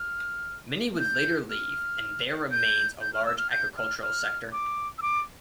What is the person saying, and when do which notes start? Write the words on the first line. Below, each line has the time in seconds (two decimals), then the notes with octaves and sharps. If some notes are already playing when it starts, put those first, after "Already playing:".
Many would later leave, and there remains a large agricultural sector.
Already playing: F6
1.00 G6
1.50 F6
2.51 G6
3.01 G6
3.14 F6
3.26 E6
3.38 F6
3.51 G6
3.77 F6
4.03 F6
4.52 D6
4.98 E6
5.02 D6